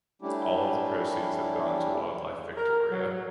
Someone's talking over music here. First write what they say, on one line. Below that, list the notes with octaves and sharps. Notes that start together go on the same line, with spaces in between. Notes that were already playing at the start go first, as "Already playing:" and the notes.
All of the proceeds have gone to Wildlife Victoria.
G3 A3 C#4 D4 E4 G4
A#4
F#3